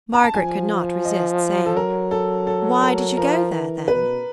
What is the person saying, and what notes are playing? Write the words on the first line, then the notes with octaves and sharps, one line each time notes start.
Margaret could not resist saying, "Why did you go there, then?"
A#5
A5
F3 G#5
D#5
A4
F#3 A#4
A4
A4
A#4
F3 A#4
E3
B2 B4